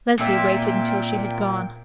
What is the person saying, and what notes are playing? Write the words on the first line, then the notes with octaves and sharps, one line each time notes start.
Leslie waited until she had gone.
A#2 C4 E5 G5